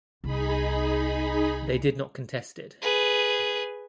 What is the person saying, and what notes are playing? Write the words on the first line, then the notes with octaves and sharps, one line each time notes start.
They did not contest it.
C2 B3 D#4 G#4 B5
G#4 B4